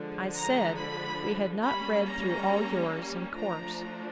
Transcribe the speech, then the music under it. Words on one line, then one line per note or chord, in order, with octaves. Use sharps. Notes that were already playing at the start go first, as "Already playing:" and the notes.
'I said, we had not read through all yours in course.
Already playing: D3 F3 G#3
A#5
B5
G3 A#3 C#4 B5
A#5
F3 A3 D4 A#5